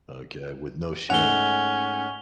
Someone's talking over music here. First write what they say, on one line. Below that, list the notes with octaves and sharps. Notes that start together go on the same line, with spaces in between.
Okay? With no shame.
G#2 A3 C#4 D#4 F#5 F7 G7